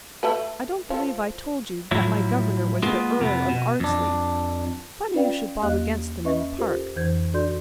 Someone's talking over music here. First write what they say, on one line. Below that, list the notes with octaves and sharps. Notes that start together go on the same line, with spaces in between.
I don't believe I told you that my Governor was the Earl of Ardsley. Funny you should bob against them in the Park.
A3 A4 B4
F3 A4
A2 F3 F#3 E4
G#3 A#3 B3 F4 G#4
F2 C3 B3
B2
F2 D4
C#4 F4 B4 D5 F5 G5
E2 A#3 G4 D#5 F5 F#6
C#4 B4 D#5 E5 C#6
F4 G4 A4 A#4 C5
F2 E3 C5 G6 G#6
D4 F#4 A4 D5 C6 G6